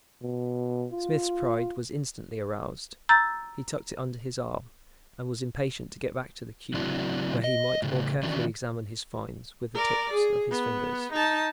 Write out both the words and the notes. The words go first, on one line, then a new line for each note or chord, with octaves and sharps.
Smith's pride was instantly aroused; he tucked it under his arm, and was impatient to get back to the cube, where he might more carefully examine his find with the tips of his fingers.
B2
F4
A#5 E6 G6 A6
C#3 F#3 C4 D4 E4 F#4
D#5
A2 C#3
D#3 E3 C#4 D4 F#4
A#4 D5
G#4
B3
D#4 A5